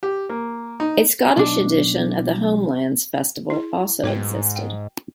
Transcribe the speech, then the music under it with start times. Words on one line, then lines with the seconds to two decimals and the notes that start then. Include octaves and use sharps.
A Scottish edition of the Homelands festival also existed.
0.03 G4
0.29 A#3
0.80 D#4
1.37 B1 D4
3.50 E4 G#4
4.04 G#2 F#4 B4 G5
4.56 G5